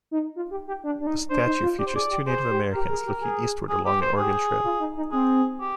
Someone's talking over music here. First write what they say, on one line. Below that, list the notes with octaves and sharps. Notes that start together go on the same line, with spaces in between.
The statue features two Native Americans looking eastward along the Oregon Trail.
D#4
F4
G4
G4
D4
D4
D#4
D4 C5
D#4
F4
G4 D5
C5
G#4 D5
G4
G#4 C5
G4
G4 A#4
G#4
G4
G#4
G#4
G4
C5
G4 G#4
F4
D#4
D#4
C4 G#4
G4